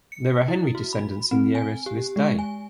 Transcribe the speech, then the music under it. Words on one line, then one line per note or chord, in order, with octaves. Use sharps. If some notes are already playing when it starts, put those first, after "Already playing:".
There are Henry descendants in the area to this day.
C#7
E4
F#4
B5
C4
G#5
G4
G#3
G#5